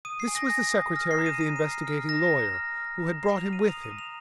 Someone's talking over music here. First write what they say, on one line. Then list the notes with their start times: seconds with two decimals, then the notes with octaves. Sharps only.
This was the secretary of the investigating lawyer, who had brought him with him.
0.05 D#6 D#7
0.20 C7
0.28 G#5
0.35 A#6
0.50 G#5
0.73 D#6
0.96 F6 A#6
1.11 C7
1.18 A#5
1.26 D#7
1.41 A#5 D#7
1.56 D#7
1.64 F6
1.71 C7
1.87 F6
2.09 A#5 A#6
2.32 A#5
2.54 F6
2.77 F6
3.00 A#5
3.23 A#5 C7
3.38 F7
3.46 F6
3.53 D#7
3.68 D#6 F7
3.84 D#7
3.91 A#5
3.99 F7